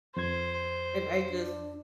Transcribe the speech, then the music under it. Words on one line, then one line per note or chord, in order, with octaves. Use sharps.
and I just
F2 C5 G#6
D4